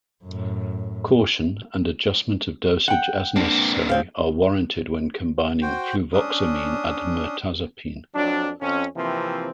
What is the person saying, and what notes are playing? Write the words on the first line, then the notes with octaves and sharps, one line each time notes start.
Caution and adjustment of dosage as necessary are warranted when combining fluvoxamine and mirtazapine.
F#2 A2
F#5 G5
A#3 C4 D4
D2 C4 F5
F#4 C5 G5
C#4 D4 D#6
F2 F#3 D4
F2 C#4
C3 E3 F3 A#3 C4